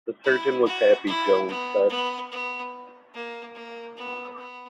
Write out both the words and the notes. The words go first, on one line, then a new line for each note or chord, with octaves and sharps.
"The surgeon was happy," Jones said.
E4
F#4
E4
B3
B3
B3
A#3
A#3
B3
B3